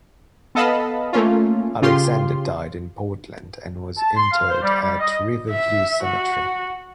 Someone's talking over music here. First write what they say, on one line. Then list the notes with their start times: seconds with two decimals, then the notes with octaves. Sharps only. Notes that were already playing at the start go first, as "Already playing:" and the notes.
Alexander died in Portland and was interred at River View Cemetery.
0.55 B3 A4 D#5 F5 A5 B5
1.13 A3 A#3 C#4 F4
1.82 C#3 F4 G4 C6
3.97 A5
4.17 C6
4.31 F5
4.50 C5
4.61 G3
4.81 G3
4.99 D#5
5.50 E5
6.03 F#4